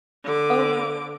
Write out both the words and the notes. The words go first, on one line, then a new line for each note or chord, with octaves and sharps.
Oh, no.
D3 D6